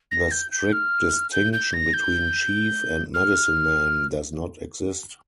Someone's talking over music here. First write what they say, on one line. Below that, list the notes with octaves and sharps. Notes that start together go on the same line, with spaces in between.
The strict distinction between chief and medicine-man does not exist.
A#6
G6
G6
F6
G6
G6
A#6
G6
F6